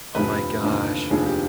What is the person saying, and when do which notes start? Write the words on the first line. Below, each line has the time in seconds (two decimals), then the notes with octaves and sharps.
Oh my gosh,
0.15 F1 D#2 D3 F3 G4 B4
0.63 F1 D#2 D3 F3
1.10 F1 D#2 D3 F3 G#4
1.26 G4